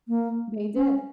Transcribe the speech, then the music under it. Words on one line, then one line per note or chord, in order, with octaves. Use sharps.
They did.
A#3
C#4